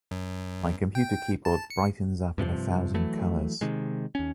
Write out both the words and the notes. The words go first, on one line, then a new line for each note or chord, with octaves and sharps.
My computer keyboard brightens up in a thousand colors.
F#2
G5
A5
C#7
G2 C3 F3
E3 F#3 A3
C3 D#3 G#3
D#2 C#4